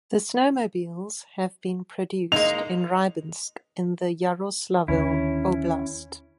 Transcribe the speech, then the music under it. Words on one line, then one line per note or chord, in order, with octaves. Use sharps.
The snowmobiles have been produced in Rybinsk in the Yaroslavl Oblast.
G#3 A#3 D#4 F7
D#2 D3 C#4 E4